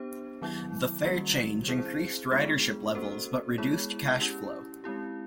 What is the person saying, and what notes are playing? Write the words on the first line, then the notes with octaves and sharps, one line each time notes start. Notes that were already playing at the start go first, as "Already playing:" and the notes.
The fare change increased ridership levels but reduced cash flow.
Already playing: B3 D4 G4 C5
D#3 F#3 B3 E4
D#3 G3 A#3 C#4 F#4
C4 E4 G#4 C5
G#3 B3 D4 F4 G#4
A#3 C#4 F#4 A4 C5
G#3 B3 E4 G#4 C#5
C#4 E4 G4
G#3 C4 E4 G4